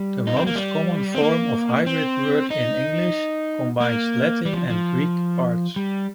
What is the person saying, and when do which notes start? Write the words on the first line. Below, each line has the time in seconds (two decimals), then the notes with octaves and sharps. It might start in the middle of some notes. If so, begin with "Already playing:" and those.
The most common form of hybrid word in English combines Latin and Greek parts.
Already playing: G3
0.27 D#4
0.36 C4
0.47 A#3
0.55 G3
1.15 C4
1.21 A#3
1.86 C4
2.50 D#4
3.80 A#3
4.45 G3
4.53 F3
4.70 F3
5.76 G3